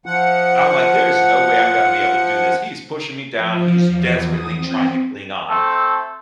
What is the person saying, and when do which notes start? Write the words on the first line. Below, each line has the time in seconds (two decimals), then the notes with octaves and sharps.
I'm like, "There is no way I'm gonna be able to do this, he is pushing me down, he's desperately trying to cling on."
0.06 F3 F#5
3.35 F3
3.86 E2
4.23 D#6
4.56 C4
5.50 A3 C4 A4